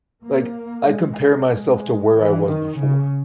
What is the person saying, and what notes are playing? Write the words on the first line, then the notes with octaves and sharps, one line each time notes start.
like, I compare myself to where I was before,
A#3
G#3
G#3
E3
D#3
C#3